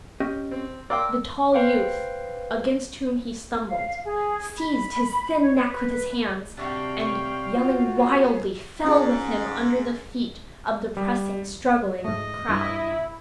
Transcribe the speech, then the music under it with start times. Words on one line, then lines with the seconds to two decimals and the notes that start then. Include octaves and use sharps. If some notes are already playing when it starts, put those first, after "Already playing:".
The tall youth, against whom he stumbled, seized his thin neck with his hands and, yelling wildly, fell with him under the feet of the pressing, struggling crowd.
0.20 C#4 G4 D#5
0.51 C4
0.90 A#4 D5 F5 G5 C6 D6 E6
1.54 B4 C5 F5 G5
3.68 F5
4.04 G#4
4.57 B5
5.42 C#5
5.62 B4
6.57 C3 G3 D4 F#4 F5 G5
7.00 C#5 C#6
7.54 F4 F#4
7.93 B3 G#4
8.85 G#2 C#4 G#4
10.97 G3
12.04 G#2 A3 D#5
12.49 G2 E4